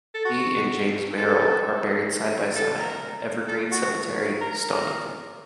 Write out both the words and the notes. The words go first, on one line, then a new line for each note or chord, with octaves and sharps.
He and James Merrill are buried side by side at Evergreen Cemetery, Stonington.
A4
F#4
A4
A4
A#4
A4
F#4
A#4
A#4